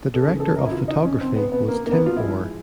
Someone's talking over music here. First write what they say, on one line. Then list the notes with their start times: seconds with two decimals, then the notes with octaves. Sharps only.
The director of photography was Tim Orr.
0.14 A4
0.23 D#2 C#3 E3 G#4
0.40 A4
0.56 A#4
0.66 E4
0.71 F4
0.88 D#4
1.04 C#4
1.21 C4
1.36 B3
1.52 B3
1.68 A#3
1.87 A#3
1.92 B3
2.06 F4
2.17 G#2 F3 G#3 E4